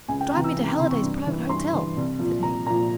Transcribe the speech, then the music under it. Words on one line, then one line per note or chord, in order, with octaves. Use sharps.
'Drive me to Halliday's Private Hotel,' said he.
C#2 G#5
G5
C3 E3 A#5
E6
C#2
C3 E3 C6
C#6
G2
E3
G2 C6
E3
C2
A#2 F3
C2 A#5
A#2 F3 A#5